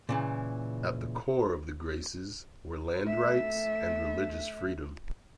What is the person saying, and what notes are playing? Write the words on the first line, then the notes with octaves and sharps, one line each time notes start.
At the core of the Graces were land rights and religious freedom.
A#2 C#3 E3
A3 E5